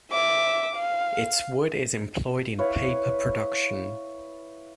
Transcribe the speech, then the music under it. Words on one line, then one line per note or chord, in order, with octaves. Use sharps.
Its wood is employed in paper production.
E5 D6
F5
E4 B4 C#5 F5